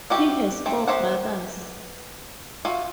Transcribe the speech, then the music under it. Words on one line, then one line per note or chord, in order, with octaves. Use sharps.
He has four brothers.
G3 E4 F#4 G4 E5
A3 C4
B3 G4 C5 E5 F#5
F4 F#4 E5